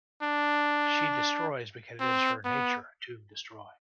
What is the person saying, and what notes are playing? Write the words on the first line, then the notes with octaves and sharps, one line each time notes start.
She destroys because it is her nature to destroy.
D4
C4
B3